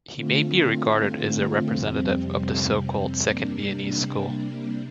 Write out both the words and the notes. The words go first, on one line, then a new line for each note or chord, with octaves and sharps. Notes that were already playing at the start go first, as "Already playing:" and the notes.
He may be regarded as a representative of the so-called Second Viennese School.
D3 A3 C4 F4
F2 C3 G3 C4
C3 G3 A#3 D4